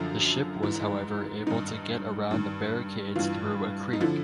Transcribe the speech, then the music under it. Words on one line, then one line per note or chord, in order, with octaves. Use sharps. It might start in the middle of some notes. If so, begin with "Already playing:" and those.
The ship was however able to get around the barricades through a creek.
Already playing: F#2 D3 F3
G#2 E3
G2 D#3 D#4
G2 D#3
G2 E3 F4
D#4
D3 F3 E4